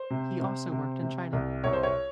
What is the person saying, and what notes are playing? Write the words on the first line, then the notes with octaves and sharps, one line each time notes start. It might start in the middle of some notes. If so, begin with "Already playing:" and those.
He also worked in China.
Already playing: C5
C3
C3
C3
C3
C2
C2 C#5
C5
C#5